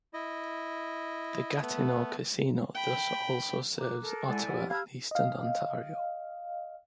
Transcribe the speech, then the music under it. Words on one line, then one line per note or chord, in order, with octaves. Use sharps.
The Gatineau casino thus also serves Ottawa and Eastern Ontario.
E4 D#5
A3 B3
G5 B5
A#5 D6 F#6
A4 A#4
G#3 E4 D5 F#5 G#5
F2 G4 C5 F#5
G4 F5 A5 B5 E6 F6 G#6
D#5 F5